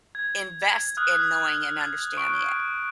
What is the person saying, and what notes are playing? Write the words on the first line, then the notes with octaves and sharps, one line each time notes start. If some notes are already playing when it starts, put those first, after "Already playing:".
invest in knowing and understanding it.
G#6
D#6 F6 F#6
C#6 F#6 D7